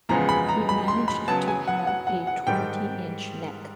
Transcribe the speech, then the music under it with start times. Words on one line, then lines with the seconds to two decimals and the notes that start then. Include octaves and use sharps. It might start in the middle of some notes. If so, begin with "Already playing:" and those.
He managed to have a twenty-inch neck.
0.09 E2 C#3 F3 G#3 B3 A#5
0.29 B5
0.49 A#5
0.69 B5
0.88 C6
1.08 B5
1.28 C#3 F#3 B3 A5
1.48 G#5
1.68 F#5
1.87 F#5
2.07 F#5
2.27 F#5
2.47 G#2 D#3 G3 G5